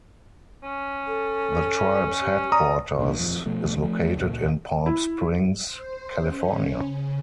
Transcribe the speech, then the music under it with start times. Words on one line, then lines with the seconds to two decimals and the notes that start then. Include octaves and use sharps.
The tribe's headquarters is located in Palm Springs, California.
0.63 C#4
1.07 A4
2.22 G4
2.52 D5 A#5 D#6
2.98 A1 B2 A#3 D4
3.19 D#1 F2 F3
3.46 B2 F3 A3
3.82 F3 A3
4.16 C#2 A#2
4.86 E4
5.63 C5
6.14 C#4
6.77 C#3